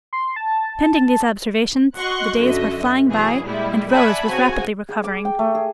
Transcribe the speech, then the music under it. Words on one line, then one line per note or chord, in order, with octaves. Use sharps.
Pending these observations, the days were flying by; and Rose was rapidly recovering.
C6
A5
F#4 D#5 F#5 C6 C#6 F#6
F#2 D3 F#4 D#5 E5
B2 E3 F#3 G#4
A#2 G3 G#3 E4
D5 E5 F#5 G#5 A5 B5
C#3 C4 F#4 G#5
G#4
D6
G5
A3
G#4